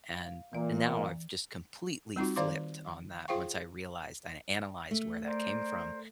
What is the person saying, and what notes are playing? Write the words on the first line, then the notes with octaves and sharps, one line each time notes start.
and n now, I've just completely flipped on that, once I realized, and I analyzed where that came from.
F5
A#2 E3 A#3 D5
G3 C4 D#4 F4 F#4
D#3 C5 D5 F5 C6 D6
F4 G#4 C5 F5 G5 C#6
A3
A#4 C5 D5